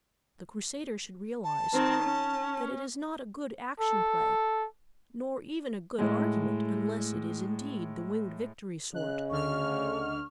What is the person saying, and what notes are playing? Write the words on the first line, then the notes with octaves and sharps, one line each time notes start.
The crusader should realize that it is not a good Action Play nor even a good argument unless it is indeed the Winged Victory sort.
A5
D#3 C4
C#4
A4
A2 G#3
C#3 D#5 F#6
D2 D3 C#6 F6